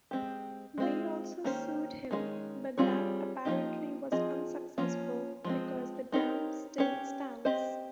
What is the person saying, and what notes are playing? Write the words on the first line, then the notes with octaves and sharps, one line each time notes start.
They also sued him, but that apparently was unsuccessful because the dam still stands.
G#3 C4 G4
G#3 C4 F4
D#3 A#3 C#4 G4 C5
D#3 G#3 C#4 F4 G#4
G3 C4 F4 G#4 C#5
F3 A#3 D#4 G4
F3 C4 F4 G#4 D#5
F3 A#3 C#4
F3 G#3 C4
C4 D#4 G4 A#4 C#5
C#4 G4 C#5
C4 G4 C5 D#5